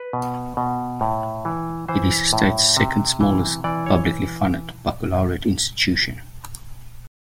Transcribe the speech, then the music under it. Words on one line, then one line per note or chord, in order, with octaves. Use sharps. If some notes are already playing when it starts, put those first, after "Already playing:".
It is the state's second-smallest publicly funded baccalaureate institution.
Already playing: B4
B2
B2
A2
E3
E3 C5
A2
C3
E3
E3 D5
C#5